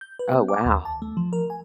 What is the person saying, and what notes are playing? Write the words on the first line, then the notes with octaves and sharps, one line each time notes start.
Oh, wow.
G6
B4
B3
D6
D#2
A5
A3
F3
A#4
G#5